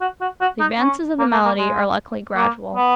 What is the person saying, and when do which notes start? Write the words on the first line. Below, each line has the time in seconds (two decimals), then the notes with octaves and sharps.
The advances of the malady are, luckily, gradual.
0.01 F#4
0.21 F#4
0.41 F#4
0.60 D#4
0.80 C#4
1.19 A#3
1.32 A#3
1.45 A#3
1.58 G#3
2.37 A#3
2.76 B3